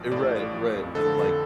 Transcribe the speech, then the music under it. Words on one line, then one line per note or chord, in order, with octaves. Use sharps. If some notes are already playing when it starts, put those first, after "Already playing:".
Eh, right, right, and like
Already playing: A1 F3 D5
A2 D5
A1
F3
F2
D3 A4
F2